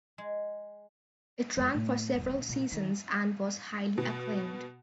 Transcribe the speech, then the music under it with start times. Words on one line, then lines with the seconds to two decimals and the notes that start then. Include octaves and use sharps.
It ran for several seasons and was highly acclaimed.
0.18 G#3
1.57 F2 G#3
1.75 A2
2.14 D#1 G2
2.34 A#1 C4
2.49 A#2
2.72 D#3
3.98 B2